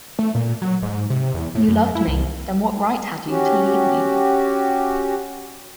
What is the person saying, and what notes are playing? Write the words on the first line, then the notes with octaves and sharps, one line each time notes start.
You loved me — then what right had you to leave me?
A3
A#2
F#3
G#2
C3
E2
A2
F#2
E4
C2
C#4 F#4 G4